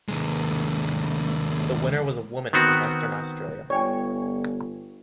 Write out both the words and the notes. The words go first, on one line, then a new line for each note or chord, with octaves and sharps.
The winner was a woman from Western Australia.
D#2 G#3
D#3 B3 C4 F#4
G1 C#5 D5 G5 G#5